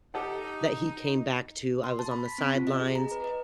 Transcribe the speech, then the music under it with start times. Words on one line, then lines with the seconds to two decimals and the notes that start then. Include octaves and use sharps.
that he came back to- I was on the sidelines-
0.14 D#4 G4 A4 F#5
1.84 C6
1.99 A5
2.11 B5
2.26 B6
2.38 C4
2.55 F4
2.67 D#5
2.80 G#4
2.95 A#5
3.11 B4
3.24 D#5